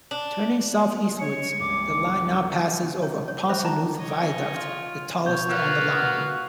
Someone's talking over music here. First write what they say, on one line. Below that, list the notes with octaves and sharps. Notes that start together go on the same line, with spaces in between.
Turning south-eastwards, the line now passes over Ponsanooth Viaduct, the tallest on the line.
D4
C#5 C#6
C#2 G2 D6
C#5
C#5
C5 E5 B5
A5 A#5
C#5 D#5
F4
B2 F4 C#5 G6
A#3 B3 F5 F#5
E2 D3 F#4